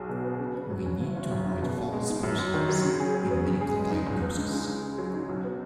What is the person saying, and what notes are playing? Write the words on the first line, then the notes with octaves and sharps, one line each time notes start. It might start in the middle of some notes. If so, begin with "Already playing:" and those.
We need to avoid false positives in medical diagnoses.
Already playing: B1 G#4
B2
B3
C#3
B4
F#3
C#4
F#1
F#1
F#2
C#3
B2
B2
G#3
D#4
F#2
F#2
D#3
F#3
C#3
G#4
F#3
B3
C#3
G#4
G#3
D#4
C#2
B3
C#3
G#3
C#3
G#4
F#3
D#4
B1
B3